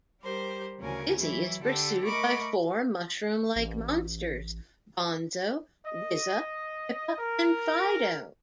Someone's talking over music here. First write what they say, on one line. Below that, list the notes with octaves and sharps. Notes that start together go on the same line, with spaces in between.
Dizzy is pursued by four mushroom-like monsters: Bonzo, Wizza, Pippa, and Fido.
G3 G4 A#4 C5
D2 C#3 C#4 A#4 G#5
E3 F#3 E4
D3 G4 A4
A3 A#4 D#5 B5 C#6 D6
A1
D#5
A#4